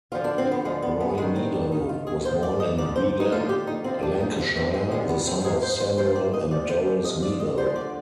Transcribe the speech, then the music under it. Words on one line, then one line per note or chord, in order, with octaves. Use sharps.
Roy Meadow was born in Wigan, Lancashire, the son of Samuel and Doris Meadow.
D2 D3 F3 F4
D4
C4
B3
D2 D3 F3 G#3
B3
B3
G2 D#3 G#3
C4
D4
G2 D#3 D#4
F4
G#4
G#2 F3 C5
D5
D#5
G#2 F3 D5
C5
D#4
D#2 D3 F3 F4
G4
D#4
D#2 D3 F3 C4
D4
D#4
D2 C3 F3 D4
C4
G#3
D2 C3 F3 G#3
B3
C4
G#2 F3 G#4
C5
C5
G#2 F3 C5
D5
D#5
D2 C3 F3 D5
C5
D5
D2 C3 F3 D#5
D5
D#5
D2 D3 F3 C5
D5